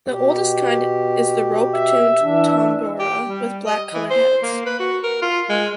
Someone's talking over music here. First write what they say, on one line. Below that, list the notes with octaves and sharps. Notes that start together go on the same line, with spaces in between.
The oldest kind is the rope-tuned tambora with black-colored heads.
B2 G4
E5
E3 D4
G4
G3
D#5
E3
C5
A#3
B4
F#4
A#4
F4
G#3